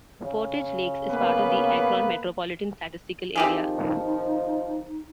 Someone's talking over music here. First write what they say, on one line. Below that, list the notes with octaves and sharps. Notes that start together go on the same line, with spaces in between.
Portage Lakes is part of the Akron Metropolitan Statistical Area.
C#3
A#3 B3 B4
D#3 F3 C4 D#4 G4 G#4